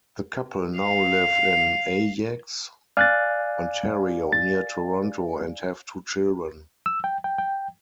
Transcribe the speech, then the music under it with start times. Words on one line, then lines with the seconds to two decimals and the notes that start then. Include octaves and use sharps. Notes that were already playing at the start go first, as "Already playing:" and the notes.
The couple now live in Ajax, Ontario, near Toronto, and have two children.
0.78 F5
2.97 D5 F5 G#5 F6 F#6 A6
4.33 A6
6.86 E6
7.04 G5
7.24 G5
7.38 G5